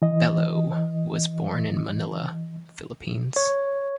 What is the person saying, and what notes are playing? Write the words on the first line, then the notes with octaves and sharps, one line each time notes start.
Bello was born in Manila, Philippines.
E3 D#5
C#5